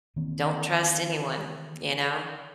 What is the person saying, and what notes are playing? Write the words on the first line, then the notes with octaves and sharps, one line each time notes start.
Don't trust anyone, you know.
D#3 E3 A#3 C4